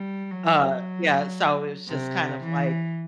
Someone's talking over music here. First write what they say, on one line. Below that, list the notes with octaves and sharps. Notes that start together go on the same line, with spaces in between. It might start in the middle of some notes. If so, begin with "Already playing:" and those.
uh, yeah, so, it's just kind of, like,
Already playing: G3
F#3
C3
E3